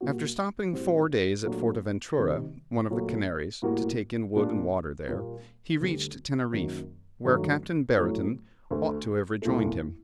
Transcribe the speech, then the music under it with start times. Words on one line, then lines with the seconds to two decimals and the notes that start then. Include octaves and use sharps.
After stopping four days at Fortaventura, one of the Canaries, to take in wood and water there, he reached Teneriffe, where Captain Brereton ought to have rejoined him.
0.01 A#2 G3 A#3 F#4
0.73 A2 G3 C4 F#4
1.45 A#2 F#3 A3 D4
2.18 C3 D#3 G3
2.90 A#2 F#3 A3
3.62 A2 G3 A#3 F#4
4.35 A#2 G3 D4
5.08 A#2 G3 A#3
5.80 D2 D3 G3
6.52 F#2 D#3 F#3 A#3
7.25 G2 D#3 F#3 A3
7.97 A2 F#3 A3
8.71 D2 D3 A3
9.42 C2 A#2 A3